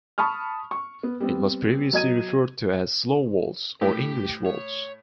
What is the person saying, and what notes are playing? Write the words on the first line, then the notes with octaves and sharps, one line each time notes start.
It was previously referred to as Slow Waltz or English Waltz.
A5 B5 C#6 D#6 F6
C#6
B3
G3 B3 C4
F#3 D#5 G#6 D#7
A2 G4
C#5